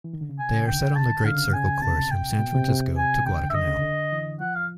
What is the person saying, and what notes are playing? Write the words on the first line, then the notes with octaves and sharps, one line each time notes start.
They are set on the great circle course from San Francisco to Guadalcanal.
E3
D#3
D3
C#3
C3 G#5
C#3
D3 G5
A5
D3 F5
C#3
C3
C#3 G#5
C3 A5
G5
B2
C3
C3
G#5
C#3 G5
D3
E5
D3 D#5
C#3
D3
E3
F3 F#5
F5